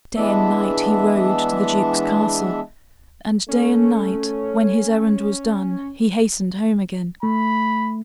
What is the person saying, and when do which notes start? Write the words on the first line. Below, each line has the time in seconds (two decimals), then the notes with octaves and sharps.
Day and night he rode to the duke's castle, and day and night, when his errand was done, he hastened home again.
0.16 E3 G#3 B3 D4 E5
3.48 A3 C#4
7.23 A3 B5